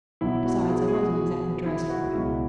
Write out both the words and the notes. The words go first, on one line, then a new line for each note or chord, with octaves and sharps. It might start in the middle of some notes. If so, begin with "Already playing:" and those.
Besides, I wasn't exactly dressed for it.'
B1 B2 F#3 E4
F#4
G#4
G#4
F#4
E4
F#4
C#2 B2 F#3 E4